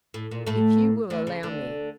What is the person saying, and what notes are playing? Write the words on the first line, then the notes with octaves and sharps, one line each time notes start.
If you will allow me.
A2
A#2
A2 A3
D2 D3
C#3
D2 D3